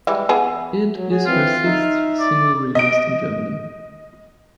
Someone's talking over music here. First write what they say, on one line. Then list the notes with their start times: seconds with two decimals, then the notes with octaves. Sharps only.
It is her sixth single released in Germany.
0.07 E3 G3 G#3
0.29 E3 B3 G#4
0.95 F#3
1.10 F#4 G#4 C#5
1.26 E3 C4 F4
1.65 D#4 E5
2.20 D5
2.75 D#5 D7